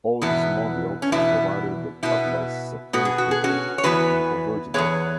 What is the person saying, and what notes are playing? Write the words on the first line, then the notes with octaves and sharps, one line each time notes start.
Oldsmobile provided the Cutlass Supreme coupe and convertible.
E2 B2 B3 E4
C#4
E2 B2 B3 E4
B2 B3 E4
B2 B3 F#4
G#4
F#4
G#4
C#4 F#4
C#5
E2 E3 B3 F#4 B4
E2 E3 B3 G#4 C#5